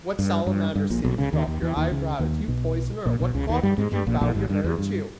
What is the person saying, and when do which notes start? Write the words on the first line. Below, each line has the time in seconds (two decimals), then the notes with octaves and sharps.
What salamander singed off your eyebrows? You poisoner, what god did you vow your hair to?
0.19 G2
0.47 G2
0.75 G2
0.90 A#1 A#2
1.04 B1 B2
1.18 C#2 C#3
1.33 D#2 D#3
1.47 D#2 D#3
1.62 E2 E3
1.77 D#2 D#3
1.91 C#2 C#3
2.19 D#2 D#3
2.48 B1 B2
3.05 A#1 A#2
3.20 B1 B2
3.35 C#2 C#3
3.49 D#2 D#3
3.63 G2 G3
3.78 G#2 G#3
3.92 G2 G3
4.07 A#1 A#2
4.21 A#1 A#2
4.35 G#1 G#2
4.49 G2
4.64 E2
4.78 G2